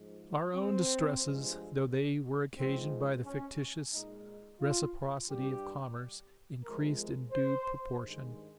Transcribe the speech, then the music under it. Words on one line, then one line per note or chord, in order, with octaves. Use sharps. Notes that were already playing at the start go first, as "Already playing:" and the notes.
Our own distresses, though they were occasioned by the fictitious reciprocity of commerce, encreased in due proportion.
Already playing: G#2 F3 G#3
C4
G2 F3 G#3
G#2 F3 G#3 C4
C#4
A#2 G#3 D#4
F4
G2 G3 G4
C3 F3 G#3 A#4
C5
G2 D#3 G#3